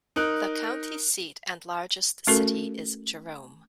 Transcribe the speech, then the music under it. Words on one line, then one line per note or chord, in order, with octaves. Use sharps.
The county seat and largest city is Jerome.
D#4 A#4 F#6
A3 C#4 F#4 A4 A#4